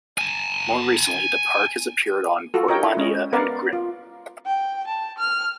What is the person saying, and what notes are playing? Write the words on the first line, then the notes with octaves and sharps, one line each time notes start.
More recently, the park has appeared on "Portlandia" and "Grimm".
G#5 A5
F4 F#4 A4
A#4 C#5 D#5 G5
E4
G#3 C#4 D#5
B3 A#4 B4 D5 F5 F#5
F4
G5
A5
F6